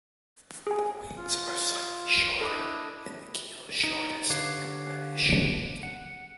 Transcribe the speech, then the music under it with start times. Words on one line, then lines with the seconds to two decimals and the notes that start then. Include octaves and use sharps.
The wings are slightly shorter and the keel shortest and reddish.
0.67 G#4 G#5
1.17 F4
2.41 D4 E4 A4 D#5 D6
3.84 D#4
4.30 D3 G4 B4 C#5 F5
5.83 F#5